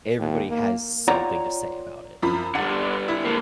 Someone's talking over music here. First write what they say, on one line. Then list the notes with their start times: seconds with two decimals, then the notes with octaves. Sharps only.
everybody has something to say about it,
0.19 D#2
0.49 A#3
1.08 F4 C#5 D5 F#5 G5 A#5
2.22 F#2 F3 B5
2.55 G2 D3 F#5
3.08 E4
3.25 D3 A#3